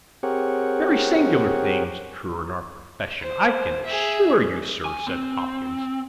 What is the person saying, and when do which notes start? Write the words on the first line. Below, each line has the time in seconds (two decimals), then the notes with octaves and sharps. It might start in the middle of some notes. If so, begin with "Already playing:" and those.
'Very singular things occur in our profession, I can assure you, Sir,' said Hopkins.
0.23 C4 G4 G#4 A#4 C#5 F#5
3.20 C5
3.85 G#4 E5
4.85 G#5
5.08 C4